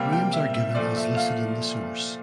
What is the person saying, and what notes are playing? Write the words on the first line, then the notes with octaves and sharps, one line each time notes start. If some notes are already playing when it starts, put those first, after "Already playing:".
Names are given as listed in the source.
Already playing: C3 G3 A#3 G5
G5
E5
E5
A#2 F3 A3 D5
E5
F5